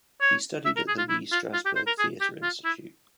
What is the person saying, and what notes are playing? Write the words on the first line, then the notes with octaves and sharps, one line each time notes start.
He studied at the Lee Strasberg Theater Institute.
C#5
E5
A#4
G#4
F4
E4
F4
F4
G4
C5
A#4
G#4
G4
F4
E4